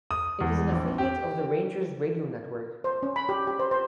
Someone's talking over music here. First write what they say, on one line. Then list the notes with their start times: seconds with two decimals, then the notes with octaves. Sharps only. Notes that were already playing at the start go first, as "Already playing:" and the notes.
It is an affiliate of the Rangers Radio Network.
0.11 D#6
0.41 E2
0.72 A#1
0.98 G4
2.84 C5
3.03 C#4
3.16 B5
3.29 G4
3.47 G4
3.59 C5
3.71 C5